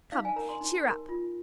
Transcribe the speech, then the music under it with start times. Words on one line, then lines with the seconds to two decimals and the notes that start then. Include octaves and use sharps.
Come, cheer up.
0.12 D#4 F5
0.25 G#5
0.36 A#4 A#5
0.49 C6
0.61 D#4
0.84 A#4
1.09 F4